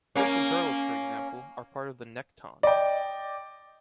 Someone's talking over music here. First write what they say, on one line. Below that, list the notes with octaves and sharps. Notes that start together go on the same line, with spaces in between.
Fish and turtles for example, are part of the nekton.
A#3 C#4
D5 D#5 G5